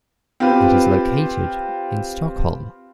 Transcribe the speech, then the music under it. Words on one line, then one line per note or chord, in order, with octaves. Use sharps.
It is located in Stockholm.
C4 F4 G4 B4